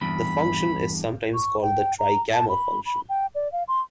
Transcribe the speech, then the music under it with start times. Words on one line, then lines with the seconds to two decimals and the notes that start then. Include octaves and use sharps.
The function is sometimes called the trigamma function.
0.01 E2 G2 B5
1.34 C#6
1.62 G5
1.99 A#5
2.33 A5
2.49 B5
2.86 B5
3.09 G5
3.35 D5
3.52 F5
3.68 C6